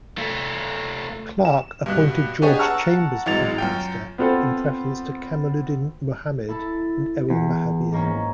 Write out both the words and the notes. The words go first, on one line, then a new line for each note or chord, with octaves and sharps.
Clarke appointed George Chambers Prime Minister in preference to Kamaluddin Mohammed and Errol Mahabir.
A3 F4
E7
G2 B2 F#6
B3 D4 G4 G#4 C#5 D#5
F#5 A5 A#5 C#6 E6 F6
G#1 E3 F#3 G#3 A6 F7
F#2 F4 G5
B3 C4 F4 A4 C5
E4 A4
E2
G#2 A#3 C#4